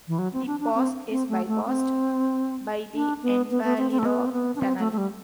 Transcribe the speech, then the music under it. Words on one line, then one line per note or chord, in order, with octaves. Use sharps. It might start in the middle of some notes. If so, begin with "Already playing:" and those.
The pass is bypassed by the Envalira Tunnel.
E3
F#3
C4
D4
D4
C4
C4
A3
A3
C4
D4
B3
B3
B3
C4
C4
A3
B3
C4
B3
D4
C4
A3
A3
G3